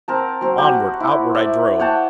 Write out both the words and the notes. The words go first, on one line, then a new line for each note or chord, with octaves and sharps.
Onward, outward, I drove.
C4 A#4 A5
F#3 C4
F#4 G4
E4
D5 E5
C#5 F#5 G5 A5